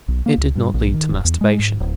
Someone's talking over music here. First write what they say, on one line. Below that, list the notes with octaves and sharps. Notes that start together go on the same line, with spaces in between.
It did not lead to masturbation.
B1
A#3
C#2
G2
A#1
D#3
D1
E2
G#3
G#2
D1